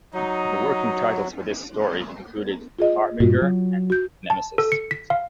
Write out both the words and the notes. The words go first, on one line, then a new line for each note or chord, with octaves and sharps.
The working titles for this story included "The Harbinger" and "Nemesis".
F#3 D#4
F4 G#4 D#5
G2 A#2 F4 F#4
F#3
F#4 G6
A5
A4
C#7
B6
F5